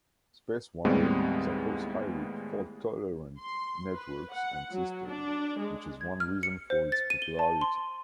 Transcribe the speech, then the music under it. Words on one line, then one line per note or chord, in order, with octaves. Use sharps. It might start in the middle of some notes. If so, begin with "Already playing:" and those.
SpaceWire supports highly fault-tolerant networks and systems, which is one reason for its popularity.
D#2 A2 G3 G#3 B3 C4
C6
B4
F#5
F#3
D4
G#3
G#6
F6
C#7
C5
A6
D#7
G7
A5
C6